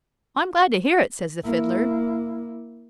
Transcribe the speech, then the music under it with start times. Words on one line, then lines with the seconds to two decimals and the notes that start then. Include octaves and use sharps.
"I am glad to hear it," says the Fiddler.
1.45 A#3 E4